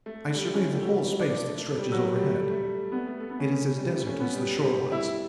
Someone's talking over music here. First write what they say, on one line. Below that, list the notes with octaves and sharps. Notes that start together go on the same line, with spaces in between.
I survey the whole space that stretches overhead; it is as desert as the shore was.
A3
G3
A3
C#4
A3
G3
F#3
G3
D4
A3
G3
F#3
G3
A3
G3
A3
B3
A3
A3
B3
C#4
G3
A3
C#4
B3
G3
G3
E4